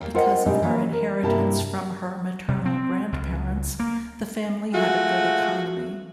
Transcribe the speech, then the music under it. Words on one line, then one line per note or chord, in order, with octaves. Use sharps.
Because of her inheritance from her maternal grandparents, the family had a good economy.
D#2
C4 F4 A#4 C5 D#5 F#5
B2 G#3 C4 D4 D#4 G4
E3 A#3 C#4
A#4
G2 C3 A#3 E4 G4 A5
C3
C4
C#2
A#3
G#3 A3 F4 F#4